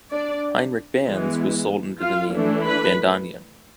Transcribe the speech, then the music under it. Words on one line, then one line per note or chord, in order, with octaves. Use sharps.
Heinrich Band's was sold under the name "Bandonion".
D4 D5
E3 G#3 B3
F4 F5
E3 A3 D4
B4 B5